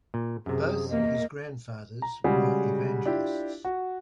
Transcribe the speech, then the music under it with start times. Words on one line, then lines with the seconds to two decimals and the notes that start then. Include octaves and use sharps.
Both of his grandfathers were evangelists.
0.14 A#2
0.46 F#2 C3 G#4
0.89 E2 A#3 D#5
2.02 A#5
2.24 C#3 G3 G#3 F#4 G#4
3.05 D4 E4 F4 G4
3.65 F#4